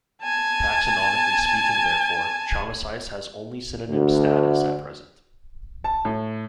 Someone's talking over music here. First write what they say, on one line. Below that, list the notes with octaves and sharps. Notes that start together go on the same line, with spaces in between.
Taxonomically speaking therefore, "Chamaesyce" has only synonym status at present.
G#5 A5
D2
A5
A2